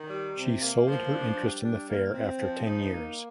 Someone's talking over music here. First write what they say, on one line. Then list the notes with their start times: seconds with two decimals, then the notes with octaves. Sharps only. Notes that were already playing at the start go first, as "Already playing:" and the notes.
She sold her interest in the Fair after ten years.
Already playing: D#3
0.10 G3
0.36 C3
0.61 A#3
0.87 F3
1.12 D4
1.38 G3
1.64 D4
1.89 A#3
2.14 C4
2.40 F3
2.66 D#4
2.91 A#3